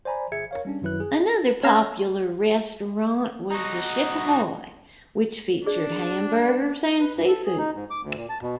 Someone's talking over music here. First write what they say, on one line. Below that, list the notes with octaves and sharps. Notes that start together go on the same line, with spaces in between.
Another popular restaurant was the Ship Ahoy, which featured hamburgers and seafood.
C5 D5 G#5 A#5 B5
G1 G#4 E5 G#6 C#7
A#4 C#5 F5
G3 C#4 D4
F#2 D#3 F#3 E4 B4 F#6
G#4
C#4 A4 F5 A#5
D#4 F#4
D4 G#4 D5
B4
G2
A4
G#4
D#4
G#2
D6
D2
A#2
A5
B2